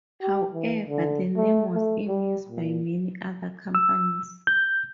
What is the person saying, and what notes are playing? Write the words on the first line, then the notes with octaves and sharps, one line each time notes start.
However, the name was in use by many other companies.
G4
E3
D3
A3
A3
G3
A#2
E6
G6